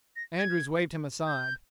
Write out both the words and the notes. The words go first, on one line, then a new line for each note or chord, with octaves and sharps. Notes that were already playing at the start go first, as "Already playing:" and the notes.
Andrews waved him aside.
A#6
G#6
G6